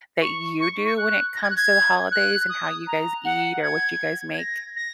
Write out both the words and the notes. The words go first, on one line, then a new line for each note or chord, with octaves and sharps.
that you do when it comes to the holidays and how you guys eat or what you guys make?
C#6
C#6
C#6
F#6
A#6
G#6
F#6
G#6
F#6
D#6
A#5
F#5
G#6
G#6
A#6
A#6